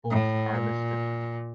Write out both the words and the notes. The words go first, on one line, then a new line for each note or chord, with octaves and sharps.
Both are listed.
A2
A#2